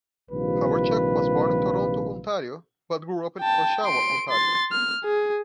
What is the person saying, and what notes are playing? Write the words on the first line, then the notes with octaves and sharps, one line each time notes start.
Hawerchuk was born in Toronto, Ontario, but grew up in Oshawa, Ontario.
A#1 C3 D#3 G3 F4 B4
G5 A5
C6 D7
C6 A6
F6
G#4